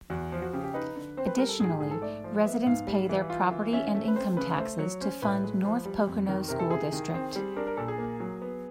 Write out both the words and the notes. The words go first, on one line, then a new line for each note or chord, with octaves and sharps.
Additionally, residents pay their property and income taxes to fund North Pocono School District.
E2 F#4
F3
F#4
C#3 G4
G4
D#4 B4
D3
C4 C5
B4
G3 A#4
A4
G#2 G#4
G4
G#2 G#4
A4
A3 D5
F3
B3 E5
G#2 F5
G3
E3
F4
E3
C#4 E5
A3
B4
C4 C5
C#3 B4
A3 C5
F#3 C#5
C#4 C5
A2 B4
G#3
F3
G3
F2
D#3 A#4
C3 A#4
A4
E4 G#4
D#3
C4
G3
D4 A#4
A#4
A#2 A4
G#4
A#3
F#3
B3